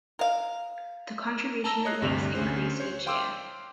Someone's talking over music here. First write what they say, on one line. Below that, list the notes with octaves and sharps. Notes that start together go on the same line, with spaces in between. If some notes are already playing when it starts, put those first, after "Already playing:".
The contribution it makes increase each year.
A#4 F5
A5 A#5 E6 A#6
C#5 D#5 F#6 C7
D2 G2 C3
D2 C#4 C5
C5 C#5
F5 G5 C6 D6 E6